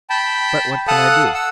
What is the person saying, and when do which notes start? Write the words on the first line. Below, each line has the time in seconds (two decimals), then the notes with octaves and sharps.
But what can I do?
0.10 G5 A5 B5
0.88 A4 F5 F#5 A5 D#6 F#6
1.34 F#5 E6